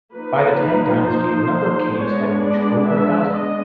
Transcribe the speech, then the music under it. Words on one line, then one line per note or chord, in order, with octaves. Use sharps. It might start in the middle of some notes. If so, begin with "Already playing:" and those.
By the Tang Dynasty, the number of caves had reached over a thousand.
F3 A#3 D#4 B4
C5
G#3 B3 D4 C#5
D5
E5
D#5